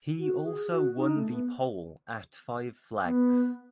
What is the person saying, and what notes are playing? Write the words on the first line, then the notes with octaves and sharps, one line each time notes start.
He also won the pole at Five Flags.
F#4
G#4
F#4
D#4
A3
B3
B3